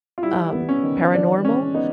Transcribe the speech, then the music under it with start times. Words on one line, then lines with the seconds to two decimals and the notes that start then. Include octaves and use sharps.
um, paranormal,
0.18 F4
0.23 G3 E4
0.53 B3
0.69 C#4
0.83 D#3
1.14 E3 D4
1.44 G#3 C#4
1.74 B3 D#4